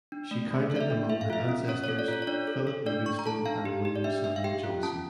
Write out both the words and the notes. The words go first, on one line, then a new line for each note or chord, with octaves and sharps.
She counted among her ancestors Philip Livingston and William Samuel Johnson.
D4
A3
A3
A4
D5
E5
D4
A4 E5
F5
F4 E5
C#4
C#4 C#5
C#5
A4
D5
F4 C#5
C#5
D4 D5
A4
A4
D4 D5
D4 C#6
A#5
A4 A5
D4 F5
G4
G4
D5
D4 E5
D4 E5
F5
G4 G5
F4
C#4 A5